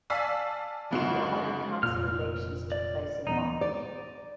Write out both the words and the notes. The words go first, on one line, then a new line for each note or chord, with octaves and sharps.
The island council elections took place in March.
D5 F5 G#5 A5 E6 B6
F#1 D2 G#2 C#3 F#4 E7
F1 A#2 F6
D5
D#1 E3 B3 D#4
D5